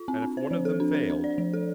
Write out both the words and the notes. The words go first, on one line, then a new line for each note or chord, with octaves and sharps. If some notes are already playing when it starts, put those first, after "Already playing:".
And if one of them failed...?
Already playing: F4
C4
D4
C5
F3
A4
D4
C5
D4
D5
F3
A4